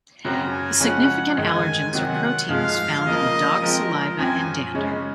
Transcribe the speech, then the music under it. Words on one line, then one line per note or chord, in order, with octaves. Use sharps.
The significant allergens are proteins found in the dog's saliva and dander.
F#2 C#3 F#3 C4 A#5
G#5
C#3 F3 G#3 C#4 F#5
G#2 D#3 G#3 G#5
C3 D#3 F#3 C4 F#5
G#2 F3 G#3 F5
C#3 F3 A#3 D#5
F3 G#3 C4 A#4
F#2 F3 C4 G#5
F#2 C#3 G#3 C#4